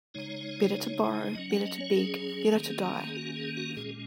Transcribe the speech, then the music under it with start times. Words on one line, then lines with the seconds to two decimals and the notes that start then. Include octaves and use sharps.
Better to borrow, better to beg, better to die!
0.14 C#3 G#3 D#4 C#5
1.35 F#3 C#4 D#5
1.50 F#5
1.65 D#5
1.80 C#5
1.96 G#4
2.56 D#3 A#3 C#4
3.07 G#4
3.17 F#4
3.36 G#4
3.57 F#4
3.77 A#2 G#3 C#4 G#4